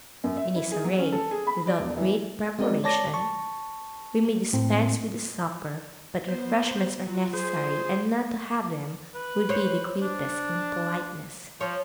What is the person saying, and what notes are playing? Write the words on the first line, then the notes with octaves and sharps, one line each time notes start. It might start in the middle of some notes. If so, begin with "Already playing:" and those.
In a soiree without great preparation, we may dispense with a supper, but refreshments are necessary; and not to have them would be the greatest impoliteness.
F#2
E5
E4
G#4
F#3
C#4
A4
G#4
B5
D5
E1
E3
G#3 C4 F#4 A#4 D5
C#5 D5 A5 D6 A#6
A5 C#6
A2 C4
B3 C5
F#3 F4
G#4 C5
B4
C5 C#5
D4
F3 C#5